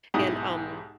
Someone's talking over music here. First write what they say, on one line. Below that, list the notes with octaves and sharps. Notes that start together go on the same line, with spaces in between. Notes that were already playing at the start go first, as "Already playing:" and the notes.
and, um
B1 G#2 E4 G4 D#6